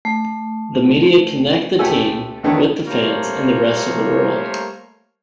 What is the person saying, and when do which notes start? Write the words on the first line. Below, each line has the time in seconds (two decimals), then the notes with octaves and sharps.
The media connect the team, with the fans and the rest of the world.
0.05 A3
1.79 C#2 A3 G4 A4 G#5 E6
2.43 E2 D3 D#3 A3 B3 C#4
2.87 G3 A3 A#3 A#4 C5 C#5